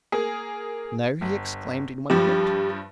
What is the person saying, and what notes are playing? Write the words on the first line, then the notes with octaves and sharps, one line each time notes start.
"No?" he exclaimed, in wonderment.
A#3 G#4
G1
G2 F3 G4